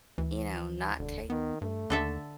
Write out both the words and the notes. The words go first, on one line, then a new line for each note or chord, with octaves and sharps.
you know, not take
D2 E3
E1 D3
D#3 B3
G2 A3
D#2 D3 A4 E5